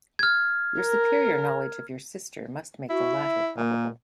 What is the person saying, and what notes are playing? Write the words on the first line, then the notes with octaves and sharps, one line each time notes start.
Your superior knowledge of your sister must make the latter probable.
F6 G#6
A#4
E4 F#4
E5
A#2 A#3